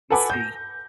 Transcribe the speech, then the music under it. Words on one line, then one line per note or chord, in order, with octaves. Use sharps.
you see?
A4 B4 F#5 G#5 B5 D6
G6 A#6